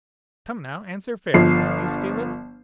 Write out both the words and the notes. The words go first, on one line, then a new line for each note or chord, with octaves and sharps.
Come, now, answer fair--wouldn't you steal it?
G1 F3 C7